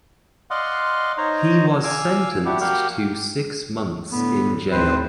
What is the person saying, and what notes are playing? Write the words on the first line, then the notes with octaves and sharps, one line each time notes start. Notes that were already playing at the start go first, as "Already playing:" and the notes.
He was sentenced to six months in jail.
D5 D#5 F5 F#5 C6
D#4 C5 C#5 A#5
F5 G#5 D6 E6 F6
D4 E4 F#4 G4
A#3 F#4 G4 F5 G5 F6
A2 D3 B3
D#2 A2 C4 B4 C5